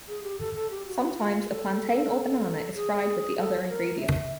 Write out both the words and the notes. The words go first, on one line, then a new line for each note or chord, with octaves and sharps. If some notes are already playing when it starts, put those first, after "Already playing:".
Sometimes a plantain or banana is fried with the other ingredients.
G#4
G4
A4
A4
G4
F#4
F4
A4
G#4
A4
A4
A#4
E5